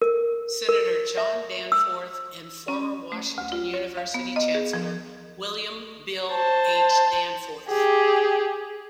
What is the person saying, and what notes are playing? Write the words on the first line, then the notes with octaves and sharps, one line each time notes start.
Senator John Danforth and former Washington University chancellor William "Bill" H. Danforth.
A#4
A#4
E5
E6
C#4
A3
D2
F4
C#5
F5
B3
D#5
G#4
F3
C5 A5
G4 G#4